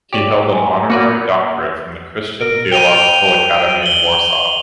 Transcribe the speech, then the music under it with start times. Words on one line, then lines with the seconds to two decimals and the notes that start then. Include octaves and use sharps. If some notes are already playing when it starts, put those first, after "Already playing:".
He held an honorary doctorate from the Christian Theological Academy in Warsaw.
0.13 G4 C#5 D5
0.51 B4 G#5
0.90 A#3 F#4 B4 D5 A#5 A#6 C#7
2.41 A#4 D7
2.72 G5 D#7 F7 G7
3.83 F#7 G7